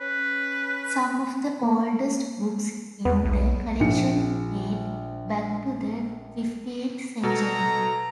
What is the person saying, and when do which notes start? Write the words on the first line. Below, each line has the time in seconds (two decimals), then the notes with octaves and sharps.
Some of the oldest books in the collection date back to the fifteenth century.
0.01 C#4 B4
1.63 A#3
3.05 E2 B3
3.25 B1
3.80 A#1 F3 C#7
7.23 B2 A4 A#5